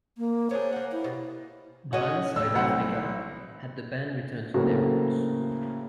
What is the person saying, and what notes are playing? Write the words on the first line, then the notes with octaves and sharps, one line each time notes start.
"Brand Suid-Afrika" had the band return to their roots.
A#3
C#4 D4 G#4 C5
A#3 F#5
E4
B2 G3
C#4 F#4 D#5
A2 G3 E6
B1 C4 F#5 B5
A2 C#3 F#3 A#3 C4 F#4